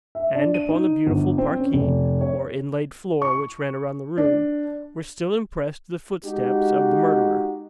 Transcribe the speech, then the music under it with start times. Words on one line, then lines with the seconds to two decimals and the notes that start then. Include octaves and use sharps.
And upon the beautiful parquet, or inlaid floor which ran round the room, were still impressed the footsteps of the murderer.
0.15 E5
0.35 D4
0.54 D#7
0.68 D#4
1.07 G1
1.38 C4
1.60 C#4
1.73 F1
2.21 C#5
3.22 C#6
4.18 D4
6.26 G#3 D#4 F#4 G4